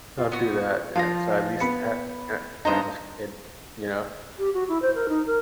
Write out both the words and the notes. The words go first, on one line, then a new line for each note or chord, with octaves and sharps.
I'll do that, yeah, so at least ha ha have a kid, you know?
F4
B3 F#4
F3 F4 F5 A#6
B3 B5 C#7
G2 B3 D#4 C5 A#5
G4
F#4
E4
C5
A#4
D#4
A#4